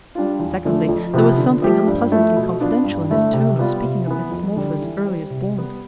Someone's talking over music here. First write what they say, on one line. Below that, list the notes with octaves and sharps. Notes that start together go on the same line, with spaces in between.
Secondly, there was something unpleasantly confidential in his tone of speaking of Mrs. Morpher's earliest born.
G3 D4 F4
E2
D3 F3 A3
F2
C3 F3 B3
D3
F3 A3 C4 G4
G2
F3 A3 E4
B2
B3 D4 F4
G2
D3 A3 E4
C3
G3 B3 F4
C3
E3 B3
F2
D3 G3
E3
G3 C4
C3
G3 B3